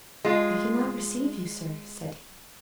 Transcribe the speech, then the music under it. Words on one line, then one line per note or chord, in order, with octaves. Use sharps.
"I cannot receive you, sir," said he.
G#3 F4